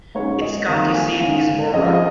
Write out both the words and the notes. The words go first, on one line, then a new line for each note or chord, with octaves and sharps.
Its county seat is Mora.
G#2 G#3 C#4 C#5
D#5
F2 D#3 A#3 F5
G#5
G#2 D#3 C#4 F5
F2 F3 G#3 C#4 D#5
F5
D#5